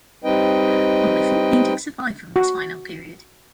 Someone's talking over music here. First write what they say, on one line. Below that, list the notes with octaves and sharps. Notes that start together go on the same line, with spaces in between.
Only four paintings survive from this final period.
G3 C4 D#4 B4 D#5 G5
F#4